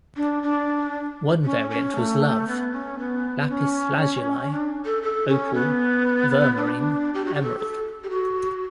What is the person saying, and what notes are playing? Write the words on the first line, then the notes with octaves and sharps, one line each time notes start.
One variant was "love": lapis lazuli, opal, vermarine, Emerald.
D4
D4
C#4
C#4
A3
B3
C#4
B3
C#4
D4
A4
A4
C#4
B3
D4
G4
F#4
G4
A4
A4
G4
F#4